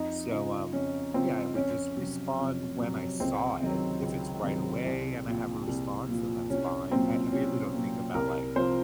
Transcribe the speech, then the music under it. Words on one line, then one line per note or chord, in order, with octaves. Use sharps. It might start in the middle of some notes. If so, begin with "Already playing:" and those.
So, um, yeah, I would just respond when I saw it. If it's right away and I have a response, then that's fine. I I really don't think about like,
Already playing: F2 D#4
C#3 F3 D#4
F2 C#4
C#3 F3 C4
F2 C#4
C3 F#3
F2
C3 F#3
C#2 C4
C3 D#3 F#3
C#2
C3 D#3 F#3
C2
A#2 F3
C2
A#2 F3
C2 C#4
A#2 F#3 C4
C2 C#4
A#2 F#3
C2 A#4
C3 F3 C5